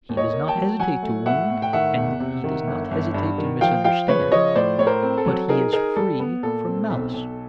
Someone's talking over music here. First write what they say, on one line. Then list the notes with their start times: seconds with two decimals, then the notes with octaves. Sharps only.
He does not hesitate to wound and he does not hesitate to misunderstand, but he is free from malice.
0.09 D#2
0.17 C#5 D#5
0.33 A#3
0.48 G5 A5
0.55 F#3
0.79 F#3 F#5 G#5
1.03 A3
1.26 A2 E5 F#5
1.50 A2
1.62 G5
1.73 D#3 E5 F#5
1.97 E2
2.20 C3
2.44 D#3
2.67 G1
2.91 G1
3.14 G2
3.38 D#3
3.61 F3 F5 G5
3.84 F3 F5 G5
4.08 C#3 B4 C#5
4.32 F3 C#5 D#5
4.55 A2 C5 D5
4.79 A2 C#5
4.87 A#4 C5
5.03 C4
5.18 A4
5.26 F#3
5.49 D#4 G#4 A#4
5.73 D#4 G#4 A#4
5.96 G3 A4
6.20 B3
6.43 A#2 A4
6.67 C4
6.90 B1
7.14 B1